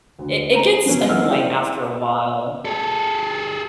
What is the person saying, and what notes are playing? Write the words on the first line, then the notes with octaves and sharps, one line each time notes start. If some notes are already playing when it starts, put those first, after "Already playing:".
i it gets annoying, after a while
D2
A4 C5 A#5
F#2 C#3 F3 B3 C#4
A#3 C4 F#5 E6 F6
E4 G#4 C5 D5 F#5 G5
G#4 A4